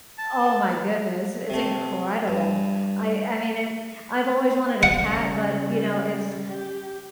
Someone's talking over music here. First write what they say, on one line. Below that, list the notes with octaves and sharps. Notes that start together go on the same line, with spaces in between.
oh my goodness, it's incredible. I I mean, it I've always wanted a cat but, you know, it's,
A5
C3 A3
G2
C#3 G3 F#5
G4